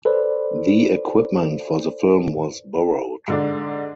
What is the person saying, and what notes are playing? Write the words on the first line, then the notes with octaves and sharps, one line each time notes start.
The equipment for the film was borrowed.
A4 B4 C5 D5
G#2 D3 D4